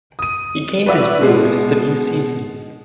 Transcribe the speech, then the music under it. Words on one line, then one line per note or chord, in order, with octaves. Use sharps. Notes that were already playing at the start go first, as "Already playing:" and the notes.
He gained his blue in his debut season.
D#6 D#7
B4 C#5 D5 E5 F#5
B2 G#3